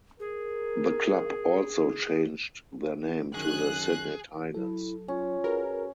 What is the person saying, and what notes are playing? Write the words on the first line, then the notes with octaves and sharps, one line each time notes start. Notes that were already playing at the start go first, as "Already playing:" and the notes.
The club also changed their name to the "Sydney Tigers".
G#4 A#4
F#2 D#3 G#4 F#6
F#3 E4 A4
C#4 F4
F#4 G#4 A#4 B4